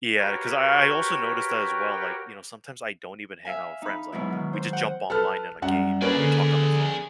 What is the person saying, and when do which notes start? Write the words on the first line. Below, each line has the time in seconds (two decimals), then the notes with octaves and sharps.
yeah, cause I I also noticed that as well, like, you know, sometimes I don't even hang out with friends. Like we just jump online in a game or we talk on the phone,
0.18 F#4 G4 A#4 B4 C#5 G5
3.45 E5 F5 G#5
3.82 D#4 B5
4.12 G#2 B2 F#3 G#3 D#4 E4
4.32 D#3
4.53 C5
4.73 F#5 G5
5.10 A4 B4 F6
5.62 F#2 G3 F#5
6.02 A#3 C#4 G#4 B4 D5
6.17 D3